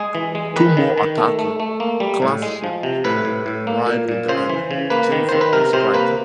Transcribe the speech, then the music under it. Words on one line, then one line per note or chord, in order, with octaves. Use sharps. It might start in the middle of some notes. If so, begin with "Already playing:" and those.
Two more "Attacker"-class ships arrived in the area, "Chaser" and "Striker".
Already playing: G#3 G#4
E3
G#3
D#3 B4
D#3
D#3
A3
A3
A3
A#3
G3
A2
G#3
F3
C3
A2 B4
A2
A2
A#3
A#2
A#2
C#3 C5
E3
C#3
A#3 B4
D#3
D#3 C5
B4
C3 A#4
C3 C5
A#3 B4